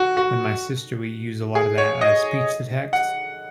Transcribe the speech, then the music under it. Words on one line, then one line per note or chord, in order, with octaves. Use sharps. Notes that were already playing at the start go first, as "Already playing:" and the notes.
With my sister, we use a lot of that, uh, speech to text
Already playing: F#4
F#4
G#4
C#5
D#5
F#5